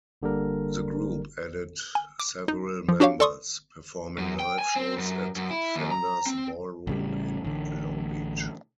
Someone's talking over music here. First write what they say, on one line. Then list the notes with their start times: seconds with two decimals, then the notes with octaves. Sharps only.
The group added several members, performing live shows at Fenders Ballroom in Long Beach.
0.22 G1 D3 G3 A#3 A#4
1.95 G#5
2.20 D6
2.48 D#4
2.89 F3
3.00 D4 F#4 G4 C#5 F5
3.20 A4 D5 C6 C#6 D#6
4.18 F#2
4.40 G5
4.59 G#5
4.76 C4
4.98 F#2
5.36 F#2
5.50 E4
5.76 D#2
5.91 A#5
6.26 C4
6.87 A1 C#3 G3
7.45 A1 D3